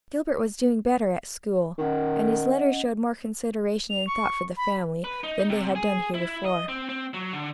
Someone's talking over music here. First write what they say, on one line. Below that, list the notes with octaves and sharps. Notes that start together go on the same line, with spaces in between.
Gilbert was doing better at school, and his letters showed more consideration and thought for the family than they had done heretofore.
D#3 C#4 D#5 F#5
F7
C#6
B5
B4
D#4
C3
G#4
E4
D#5
C4
C4
F#3
D3